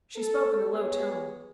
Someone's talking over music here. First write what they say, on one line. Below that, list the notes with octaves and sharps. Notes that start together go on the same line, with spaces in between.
She spoke in a low tone.
A4
B3 G4 G#4 C#5